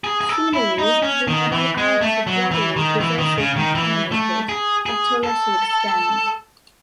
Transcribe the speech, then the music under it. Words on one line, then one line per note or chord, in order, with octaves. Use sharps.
Similarly, the nearby island of Guadeloupe is also contaminated, but to a lesser extent.
G#4
G#4
A4
E4
D#4
C#4
D#3
E3
G#3
A3
F#3
E3
D#3
E3
D#3
C#3
D#3
E3
A3
G#4
G#4
A4